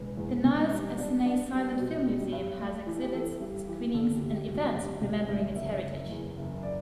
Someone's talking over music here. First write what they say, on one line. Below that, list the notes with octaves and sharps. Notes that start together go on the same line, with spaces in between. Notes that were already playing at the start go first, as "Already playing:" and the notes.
The Niles Essanay Silent Film Museum has exhibits, screenings, and events remembering its heritage.
Already playing: E1 B4
E2
E1
G3
D4
D4
G3
B2
G3
G2
A3
E3
G4
E3 A4
G2 G4
E3 G4
D3 A4
G4
D2
G4
D2
F#4
D2 G4
E1 G4
D2 E5
F#1 E5
F#1
E2
F#1
D5